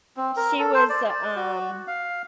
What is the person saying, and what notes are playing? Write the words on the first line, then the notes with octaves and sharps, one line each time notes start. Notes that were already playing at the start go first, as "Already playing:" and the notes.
she was, uh, um
C4
A#4
A4
C5
D5
D5
F#4
F5